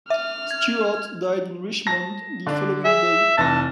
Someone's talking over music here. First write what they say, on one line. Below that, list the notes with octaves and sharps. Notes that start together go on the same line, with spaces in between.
Stuart died in Richmond the following day.
E5 F6
G#6
A5 A#6
D3 D4
G#4 E5
F1 E3 A5 A#6